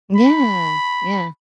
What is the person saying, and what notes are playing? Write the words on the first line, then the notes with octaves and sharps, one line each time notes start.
Yeah, yeah.
B5